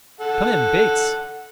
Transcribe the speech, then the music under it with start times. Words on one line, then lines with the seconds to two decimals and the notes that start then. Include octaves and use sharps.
Come in, Bates.
0.20 A4 F#5